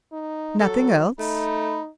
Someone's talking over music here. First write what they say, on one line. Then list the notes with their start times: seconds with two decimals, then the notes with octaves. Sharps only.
"Nothing else?"
0.12 D#4
0.60 F#3 A4
1.19 A3 D#4 B5